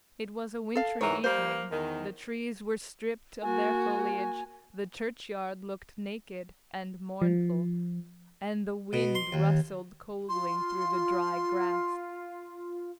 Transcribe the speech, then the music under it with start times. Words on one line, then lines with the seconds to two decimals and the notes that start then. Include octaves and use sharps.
It was a wintry evening: the trees were stripped of their foliage, the churchyard looked naked and mournful, and the wind rustled coldly through the dry grass.
0.75 A4 F5
1.01 G#2 E3 A#4 C#5
1.24 G3 A#3 C5
1.70 E2 D#3
3.42 A#3 F#4 G#5
7.22 F3
8.93 B2
9.15 C6
9.32 D#2
10.29 F4 C6